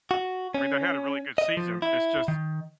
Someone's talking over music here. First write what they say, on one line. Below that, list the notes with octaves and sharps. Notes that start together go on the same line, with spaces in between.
I mean, they had a really good season, it's just
F#4
C#4
D#5
F3
E4
D#3